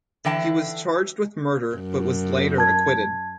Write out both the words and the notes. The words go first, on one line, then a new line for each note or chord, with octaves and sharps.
He was charged with murder but was later acquitted.
D3 E3 G5 A5
F#2
A5 G#6